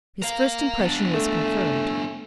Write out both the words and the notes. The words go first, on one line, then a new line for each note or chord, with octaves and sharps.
His first impression was confirmed.
A#4 F5
B3 D4
A3